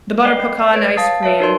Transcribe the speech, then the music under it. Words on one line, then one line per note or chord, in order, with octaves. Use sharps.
the butter pecan ice cream.
D5 D#5 G5 C7
A3 C7
B4 C#5 G#6 D7
F5 A5 D#6 A6 C7
B4 C#5 E5 A5
D#4 F#4 A#4 C#5 D5 C6